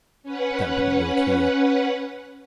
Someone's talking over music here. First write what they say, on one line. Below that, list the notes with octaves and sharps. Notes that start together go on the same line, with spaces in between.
That wouldn't work here.
C#4 B4 F#5